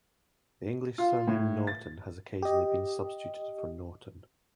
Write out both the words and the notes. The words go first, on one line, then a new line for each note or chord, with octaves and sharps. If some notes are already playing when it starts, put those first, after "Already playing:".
The English surname Norton has occasionally been substituted for Naughton.
F4
A2
A6
G4 D#5